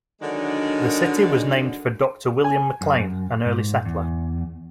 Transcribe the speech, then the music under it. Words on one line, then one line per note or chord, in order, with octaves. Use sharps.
The city was named for Doctor William McLean, an early settler.
D3 D#3 F#3 G#3 D4
G#5
F#2
G#2
E2